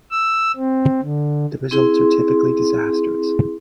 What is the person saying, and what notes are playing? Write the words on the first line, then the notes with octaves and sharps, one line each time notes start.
The results are typically disastrous.
E6
C4
D3
C4 E4 G#4 C6